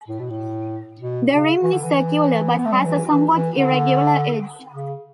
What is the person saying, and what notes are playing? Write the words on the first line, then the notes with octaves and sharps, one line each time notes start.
The rim is circular but has a somewhat irregular edge.
A2
B2
A2
B2
C#3
E3
D3
E3
B3
A3
G3
F#3
E3
E3
E3
D3
C#3